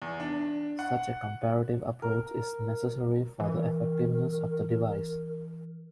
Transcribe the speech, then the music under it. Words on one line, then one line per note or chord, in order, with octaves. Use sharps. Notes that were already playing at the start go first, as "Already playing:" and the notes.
Such a comparative approach is necessary for the effectiveness of the device.
E2
D4
F#5
A#4
E3 A#4